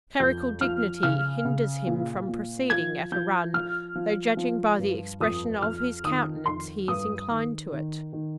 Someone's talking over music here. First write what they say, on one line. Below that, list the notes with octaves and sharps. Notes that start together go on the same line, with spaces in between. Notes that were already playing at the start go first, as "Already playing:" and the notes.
Clerical dignity hinders him from proceeding at a run, though judging by the expression of his countenance he is inclined to it.
F2 G6
F3 F6
C#3 F6
C#3
A#2
A#2
F3 G#6
F3 G6
F3 F6
F3
F3
G2
F2 D#6
F2 F6
D#3 D#6
F2 C6
G2 D#6
D#3
D#3
D#3